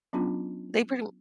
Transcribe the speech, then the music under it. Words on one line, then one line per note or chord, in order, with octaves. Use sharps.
they pretty m
F#3 B3 C#4 D4 F4